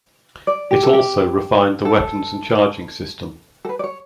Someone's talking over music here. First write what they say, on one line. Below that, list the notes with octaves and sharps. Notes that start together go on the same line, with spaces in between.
It also refined the weapons and charging system.
D5
G4
A4
G4
A4
A4
B4
D5
C#5